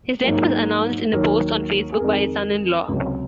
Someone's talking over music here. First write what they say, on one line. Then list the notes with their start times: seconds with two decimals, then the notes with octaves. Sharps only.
His death was announced in a post on Facebook by his son-in-law.
0.24 G#2 F#3 A#3
1.13 D#2 D#3 F#3 A#4
1.92 G#4
1.99 F2 D#3 G#3 A#4
2.88 C#2 C3 F#3